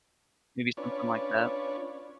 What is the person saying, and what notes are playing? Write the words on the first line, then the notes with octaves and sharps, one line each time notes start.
maybe something like that?
C#4 D4 F4 B4 C#5 D5